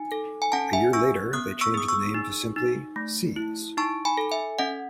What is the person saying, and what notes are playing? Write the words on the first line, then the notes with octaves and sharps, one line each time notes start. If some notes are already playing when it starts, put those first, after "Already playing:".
A year later, they changed the name to simply Seize.
Already playing: D#4 G#5
A4
G#5
C#4 F#5 A5
E5 G#5
C#4 C#6 E6
B3 D#6 F#6
C#6 E6
G#4 D#6
C#6 E6
D#4
D#4
A3
E4
D#4 A5 C#6
G#5 B5
A4
E5 G#5
C#4 D#5 F#5